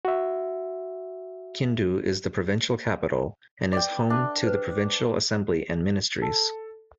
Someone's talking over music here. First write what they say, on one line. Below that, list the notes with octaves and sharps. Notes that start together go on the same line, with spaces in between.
Kindu is the provincial capital and is home to the provincial assembly and ministries.
F#4 E5
D5 G5
D4 A4 E5
B4 C5
A4